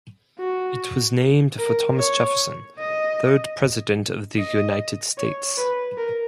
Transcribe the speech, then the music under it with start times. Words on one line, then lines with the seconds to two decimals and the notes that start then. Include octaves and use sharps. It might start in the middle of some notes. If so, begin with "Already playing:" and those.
It was named for Thomas Jefferson, third president of the United States.
0.39 F#4
1.59 A#4
1.98 C#5
2.79 D#5
4.38 D#5
5.18 C#5
5.58 B4
5.97 A#4